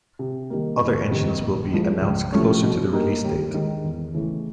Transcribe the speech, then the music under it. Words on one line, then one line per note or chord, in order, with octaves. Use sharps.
Other engines will be announced closer to the release date.
C3
D#3 G3 A#3
F#1
F2 C3 D#3 G3
A#1
G#2 F3 G#3
C#2
C3 F3 A3 C#4
B2
G3 A#3 D#4
D#2
D#3 G#3
E2
C#3 E3 A3